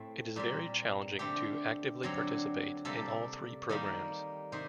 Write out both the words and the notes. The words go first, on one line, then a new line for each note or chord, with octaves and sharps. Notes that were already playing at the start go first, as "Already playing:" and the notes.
It is very challenging to actively participate in all three programs.
Already playing: A2 A3 C4
A#2 G3 C4
D3 A3 C4 G4
D3 F#3 C4
C3 G3 A#3 A4
D#3 G3 A#3
C3 D#3 C5